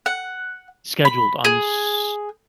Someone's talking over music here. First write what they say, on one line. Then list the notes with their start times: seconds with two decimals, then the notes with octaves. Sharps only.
scheduled on S
0.06 F#5
1.05 B5
1.45 G#4